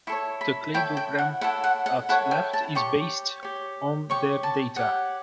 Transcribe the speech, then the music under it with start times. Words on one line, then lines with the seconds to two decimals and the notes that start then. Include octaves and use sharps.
The cladogram at left is based on their data.
0.07 E4 A4 C#5 C#6
0.41 B5
0.74 E4 A4 C#5 G5
0.97 G5
1.19 F#5
1.41 E4 A4 C#5 F#5
1.64 F#5
1.86 F#5
2.09 E4 A4 C#5 F#5
2.31 G5
2.53 A5
2.75 G4 C#5 C#6
3.43 G4 C#5
4.10 G4 C#5 C#6
4.43 A5
4.76 G4 C#5 F#5